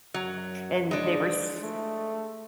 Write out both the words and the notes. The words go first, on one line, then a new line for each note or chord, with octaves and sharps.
and they were s
F#2 F#3
G#3 D4
A3